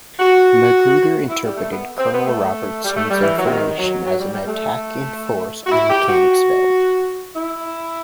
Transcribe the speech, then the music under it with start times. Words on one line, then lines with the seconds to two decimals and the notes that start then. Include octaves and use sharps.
Magruder interpreted Colonel Robertson's information as an attack in force on Mechanicsville.
0.20 F#4
1.29 E4
1.44 G3
1.57 A3
1.71 B3
1.98 C4
2.12 B3
2.26 A3
2.84 G3
2.95 A3
3.09 G3
3.22 E3
3.37 F#3
3.45 C3
3.50 D#3
3.77 F#3
4.05 F#3
4.19 G3
4.33 G3
4.46 A3
5.67 F#4
5.71 E4
5.89 G4
6.08 F#4
7.35 E4